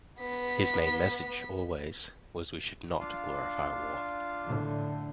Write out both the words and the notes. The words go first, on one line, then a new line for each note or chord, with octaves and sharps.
His main message always was we should not glorify war.
B3 B6
D4 F4 F5
A2 D3